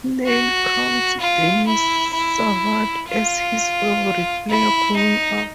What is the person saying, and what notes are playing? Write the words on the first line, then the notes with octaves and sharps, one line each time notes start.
Neil counts Denis Savard as his favourite player growing up.
F#4
F4
E4
E4
F4
E4
D#4